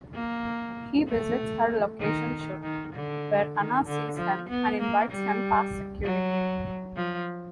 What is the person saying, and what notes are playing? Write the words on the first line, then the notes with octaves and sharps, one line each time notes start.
He visits her location shoot, where Anna sees him and invites him past security.
A#3
A3
D#3
D#3
D3
D#3
D3
F3
B3
A#3
G3
F#3
F3